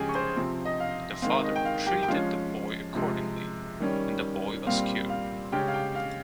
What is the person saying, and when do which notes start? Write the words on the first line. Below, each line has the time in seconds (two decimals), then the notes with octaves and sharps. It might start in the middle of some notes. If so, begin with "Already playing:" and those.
The father treated the boy accordingly, and the boy was cured.
Already playing: C#3 F3 G#3 C#4 G4 G#4 G5 G#5
0.09 C#6
0.15 C5 C6
0.36 C3 F3 C4
0.65 D#5
0.80 F5
1.22 D#3 G#3 C4 F5
1.44 D#5
1.56 G5
1.65 F5
1.87 G4 G5
2.03 G5
2.08 F3 G#3 C#4 F5
2.95 C3 F3 G#3
3.80 D#3 G3 C#4
4.67 A#2 G3 C4 F5
5.10 F5
5.52 C#3 G#3 C#4 G4 G5
5.68 F5
5.74 G4 G5
5.95 F5